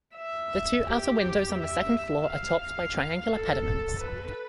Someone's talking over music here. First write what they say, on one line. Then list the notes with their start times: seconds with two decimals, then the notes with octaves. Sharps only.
The two outer windows on the second floor are topped by triangular pediments.
0.15 E5
0.85 G4
1.55 E5
2.25 F5
2.60 F5
3.31 A4
4.01 B4